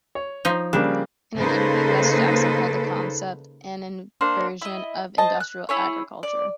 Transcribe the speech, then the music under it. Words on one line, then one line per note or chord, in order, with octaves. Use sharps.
In an interview, Wes Jackson called the concept an inversion of industrial agriculture.
C#5
F3 D#4
C#3 G3 A#3 D4
C#3 A#3 D#4 A4 B4 C5
A#3 D4 C5
E4 D#5
C5 D#5 A5
F#6
E4 G#4 C#5
D5